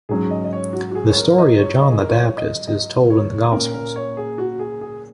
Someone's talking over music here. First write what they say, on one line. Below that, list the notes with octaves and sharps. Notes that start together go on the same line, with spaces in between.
The story of John the Baptist is told in the Gospels.
G#2 F#3 C#4 G#4
D#5
D#5
C#5
F#4
F#4
G#4
C#5
A#4
D#5
C#5
D#5
G#4
A#4
C#5
D#5
D#5
C#5
A#2 A#3 C#4 A#4
A#4
C#5
G#4
F#4
G#4
G#4